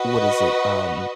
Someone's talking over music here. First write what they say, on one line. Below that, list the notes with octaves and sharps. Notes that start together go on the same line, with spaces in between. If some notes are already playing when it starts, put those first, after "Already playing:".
What is it? Um,
Already playing: F#4 B4 D#5